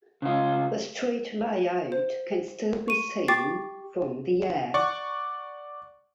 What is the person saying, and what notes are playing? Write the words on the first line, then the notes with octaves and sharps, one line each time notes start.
The street layout can still be seen from the air.
C#3 F4
C5
C#6 D#7
G4 G5 C#6 D6 A6 C7
D5 F#5 C#6